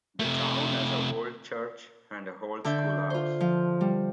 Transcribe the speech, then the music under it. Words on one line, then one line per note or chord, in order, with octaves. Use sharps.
The town has an old church and an old schoolhouse.
C3 A3
D3 D4 E5 G6
F4 C5
F3
G3